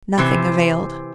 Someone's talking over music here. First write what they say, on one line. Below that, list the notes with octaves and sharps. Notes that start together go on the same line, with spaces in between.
Nothing availed.
C3 E3 C5